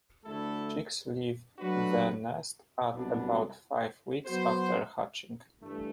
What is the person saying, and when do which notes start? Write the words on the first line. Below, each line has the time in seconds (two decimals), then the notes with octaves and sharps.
Chicks leave the nest at about five weeks after hatching.
0.25 D2 D3 A3 E4 A4
1.58 F#3 A3 D4 F#4 B4
2.92 C2 B2 F#3 B3 D4
4.26 F#3 B3 F#4 C5
5.59 G2 E3 A3